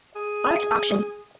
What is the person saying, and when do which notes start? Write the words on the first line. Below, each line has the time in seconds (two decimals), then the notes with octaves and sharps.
Art Auction.
0.15 G#4